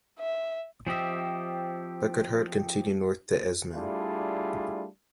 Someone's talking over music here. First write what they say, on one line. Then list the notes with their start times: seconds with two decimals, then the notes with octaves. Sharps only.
Burckhardt continued north to Esme.
0.19 E5
0.87 F3 C4 G4 D#5 E5
3.75 G3 A3 D4 E4 F4 G#4